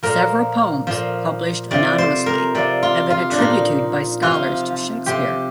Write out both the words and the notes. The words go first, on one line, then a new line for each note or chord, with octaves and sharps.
Several poems published anonymously have been attributed by scholars to Shakespeare.
A#2 F3 A#4
A#2 F3
C3 F3 D5
C5
A#4
C3 F3 D5
F4
F4
D4
A#2 F3 D#4
C3 F3 F4
C3 F3 G4